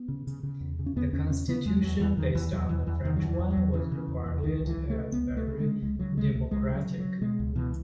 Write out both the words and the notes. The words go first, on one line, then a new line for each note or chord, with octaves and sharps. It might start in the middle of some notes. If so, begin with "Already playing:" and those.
The Constitution, based on the French one, was regarded as very democratic.
Already playing: B3
C#3
C#3
C#3
E2
C#3
C#4
E2 B3
E2 C#4
C#3 C#4
C#3 B3
E2 G#3
E2 F#3
E2 E3
E2 D#3
E2 E3
E2 F#3
E2 E3
E2 E3
E2 D#3
F#3
E2
E3
E2
F#3
E2
C#3 E3
C#3
E2
E2
C#2 D#3
C#2
E3
C#2
A3
C#3
C#2 B3
C#2
A3
C#3
G#3
C#3
C#2 G#3
C#3 F#3
C#2 G#3
C#2 A3
C#2 G#3
C#3
F#3
C#3
F#3
C#3
B2 G#3
C#2
B2 E3